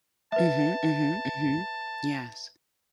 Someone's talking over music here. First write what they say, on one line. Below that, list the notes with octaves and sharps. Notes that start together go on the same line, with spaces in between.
Mhm, mhm, mhm. Yes.
B4 E5 A5